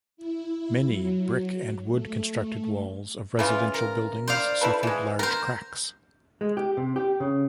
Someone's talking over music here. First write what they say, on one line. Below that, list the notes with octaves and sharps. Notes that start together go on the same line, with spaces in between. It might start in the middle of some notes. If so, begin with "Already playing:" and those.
Many brick and wood constructed walls of residential buildings suffered large cracks.
E4
F#3
A3
C#3 E3 F4
A#4
C5 D5 F5
E4 A4 B4
E3 G#3
B3 A#4 C5
G#3
G4
C3
G4
C#3